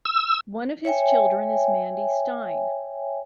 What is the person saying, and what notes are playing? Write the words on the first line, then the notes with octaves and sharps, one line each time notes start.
One of his children is Mandy Stein.
E6
C#5 E5 G5 G#5